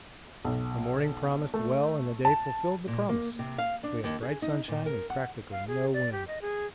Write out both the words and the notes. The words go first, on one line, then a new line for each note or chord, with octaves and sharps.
The morning promised well and the day fulfilled the promise: we had bright sunshine and practically no wind.
B1
A3
A5
A#2
A#3
C3
F5
D4
D#2
G#4
D#4
A#2
A#4
F#5
F5
G#4
D5
G4
D#5
G#4